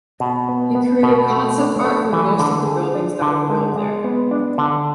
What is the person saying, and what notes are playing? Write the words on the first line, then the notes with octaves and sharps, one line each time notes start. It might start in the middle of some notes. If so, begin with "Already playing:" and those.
He created concept art for most of the buildings that were built there.
B2
B3
B3
B2
A3
D4
A3
E3
D3
G#4
D4
D3
G#3
G#3
B3
D4
D3